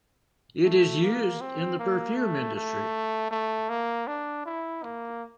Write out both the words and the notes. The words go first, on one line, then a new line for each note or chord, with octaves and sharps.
It is used in the perfume industry.
A3
A#3
C4
A#3
A3
A3
A3
A#3
D4
E4
A#3